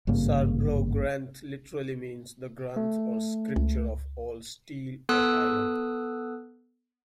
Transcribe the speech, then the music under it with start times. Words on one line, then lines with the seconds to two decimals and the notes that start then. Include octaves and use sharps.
Sarbloh Granth literally means "the Granth or Scripture of all-steel or iron".
0.07 G#1 G2 C#3 A#3
2.77 A3
3.56 C#2
5.09 B3 A4 D#6 E6 F#6